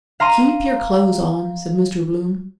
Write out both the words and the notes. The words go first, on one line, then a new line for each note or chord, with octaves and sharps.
"Keep your clothes on," said Mr. Bloom.
F5 A#5 C6 D#7